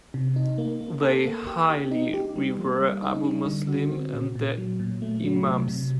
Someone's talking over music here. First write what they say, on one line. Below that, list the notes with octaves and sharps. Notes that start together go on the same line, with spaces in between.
They highly revere Abu Muslim and their imams.
C3
D#4
A#3
A#3
A4
A#3
G4
G4
D#4
G4
G3
A#3
G3
D#4
G3
D3
F#4
C4
A#2
A#2
F#3
A#2
A3
F#3
C3
C3